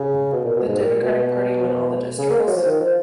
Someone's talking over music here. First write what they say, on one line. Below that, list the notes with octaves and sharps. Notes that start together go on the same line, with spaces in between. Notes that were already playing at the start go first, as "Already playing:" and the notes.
The Democratic Party won all the districts.
Already playing: C#3
B2
A#2
B2
G#2
A#2
B2
C#3
A#3
G#3
F#3
F3
D#3
F3